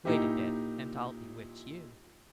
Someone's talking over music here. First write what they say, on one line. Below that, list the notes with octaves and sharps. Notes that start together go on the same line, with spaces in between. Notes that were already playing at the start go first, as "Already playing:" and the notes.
Wait a bit, and I'll bewitch you!'
A#2 D#4 E4 G4